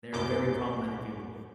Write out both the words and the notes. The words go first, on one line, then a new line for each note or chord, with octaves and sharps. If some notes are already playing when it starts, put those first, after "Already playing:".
They're very problematic people.
C2 F#2 D6 G6